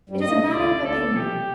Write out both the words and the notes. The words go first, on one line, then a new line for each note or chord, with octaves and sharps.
It is a matter of opinion.
G2 G3
A#3 D#5
A2 A3
C3
D2 D3 D5
D2 D3 A4
A#2
C3 G4
C3